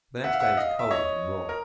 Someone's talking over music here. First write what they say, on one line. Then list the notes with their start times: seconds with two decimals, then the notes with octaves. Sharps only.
The next day was cold and raw.
0.24 E5 F#5
0.33 F5
0.40 E5 F#5
0.57 D#5 F5
0.79 E5
0.91 C#5 D#5
1.49 A#4